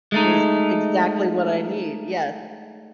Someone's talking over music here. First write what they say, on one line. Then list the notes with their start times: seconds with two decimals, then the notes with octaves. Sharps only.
is exactly what I need, yeah.
0.12 G#3 A3 D#4